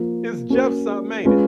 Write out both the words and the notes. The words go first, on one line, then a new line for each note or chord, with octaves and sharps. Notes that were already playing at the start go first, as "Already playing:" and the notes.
It's Jeff summin', ain't it?
Already playing: F3 A#3 F4
A#3 C#4 F#4 A#4
G#3 C#4 F4 B4